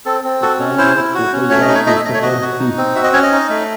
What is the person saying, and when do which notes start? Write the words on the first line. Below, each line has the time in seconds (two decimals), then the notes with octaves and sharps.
The term was proposed by Christopher Hsee.
0.06 C4 A4
0.24 C4
0.42 F#4 A4
0.60 C#4
0.78 E4 C5
0.96 E4
1.14 F#4
1.33 C#4
1.50 A3 C#5
1.62 D#5
1.68 D#4
1.75 C#5
1.86 A3 D#5
1.96 E5
2.05 A3 D#5
2.14 C#5
2.22 F#4 D#5
2.42 F#4
2.60 D#4
2.77 C4
2.95 F#4 E5
3.04 D#5
3.13 C#4 C#5
3.23 D#5
3.32 D#4
3.49 A3